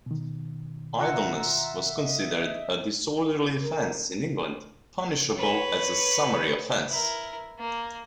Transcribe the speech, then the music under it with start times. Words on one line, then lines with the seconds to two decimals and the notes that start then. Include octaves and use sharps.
Idleness was considered a disorderly offence in England punishable as a summary offense.
0.06 B2 D#3
0.99 F4 E5 F#5 A#5 F#6 C#7
1.99 D#5
3.62 A#4
5.36 B4 C#5
6.90 E4 A#4
7.58 A#3